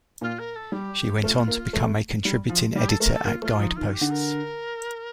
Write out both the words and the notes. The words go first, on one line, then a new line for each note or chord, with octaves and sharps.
She went on to become a Contributing Editor at "Guideposts".
A#2 F4
A#4
A4
G3 G4
A3 F4
A#3
A3
G3
F3
G3 G4
A4
A3 A#4
A4
A#3 F4
A3 F4
F3 D#4
D#3 F4
G4
D3
A#4